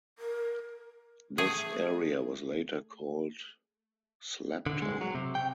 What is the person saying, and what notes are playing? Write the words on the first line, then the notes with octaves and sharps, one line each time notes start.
This area was later called Slabtown.
A#4
A3 G#4
D3
G#3
F#3
C3
G5